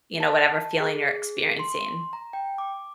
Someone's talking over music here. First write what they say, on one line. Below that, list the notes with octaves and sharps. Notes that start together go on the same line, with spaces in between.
you know, whatever feeling you're experiencing?
A5
G#4
C6
A#5
G5
D6